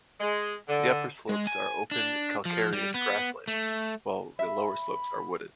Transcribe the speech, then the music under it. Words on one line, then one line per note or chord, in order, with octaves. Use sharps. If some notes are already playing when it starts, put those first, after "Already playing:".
The upper slopes are open calcareous grassland, while the lower slopes are wooded.
G#3
D3
G#3
G#5
D4
F3
G3
B3
A3
E5 B5